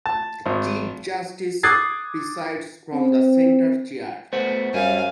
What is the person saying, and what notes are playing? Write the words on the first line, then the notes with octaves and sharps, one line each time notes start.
The Chief Justice presides from the centre chair.
A5
G#1
D6 D#6 F#6 G#6 A6 C7
C4
A3 B3 F#4 C5
F#2 G3 F5 G#5